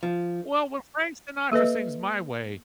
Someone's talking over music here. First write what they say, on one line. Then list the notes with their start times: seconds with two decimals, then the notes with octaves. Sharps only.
Well, when Frank Sinatra sings "My Way,"
0.03 F3
1.52 A#3 A4 B4 D#5